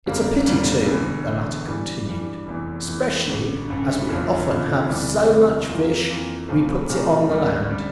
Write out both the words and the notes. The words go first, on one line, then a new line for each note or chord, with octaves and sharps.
"It's a pity too," the latter continued, "specially as we often have so much fish we puts it on the land."
G1 F2 D3 G3 A#3
G1 F2 D3 G3 A#3
E1 E2 D3
E1 E2 D3
G2 E3 G3
G2 E3 G3
F1 E2 E3
F1 E2 E3
A1 G2 D3
A1 G2 D3
F1 E2 D3 F3
F1 E2 D3 F3
E1 D2 C3 E3 G3
E1 D2 C3 E3 G3
F2 E3 A#3 F4
F2 E3 A#3 F4
C2 A#2 F3 A3
C2 A#2 F3 A3
E1 D2 D3 G3
D3 G3